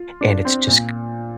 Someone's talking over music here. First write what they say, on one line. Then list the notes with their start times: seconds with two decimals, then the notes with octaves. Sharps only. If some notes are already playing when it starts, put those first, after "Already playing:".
and it's just c
Already playing: F4
0.21 D4
0.45 C4
0.67 A#2